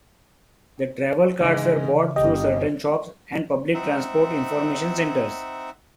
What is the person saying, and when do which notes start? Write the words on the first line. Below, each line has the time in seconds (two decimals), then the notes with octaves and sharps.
The travel cards were bought through certain shops and Public Transport Information Centres.
1.41 G#2 C#3 E3 G#3
2.16 G1 G4 D#5
3.74 C4 D#4 E5 F#5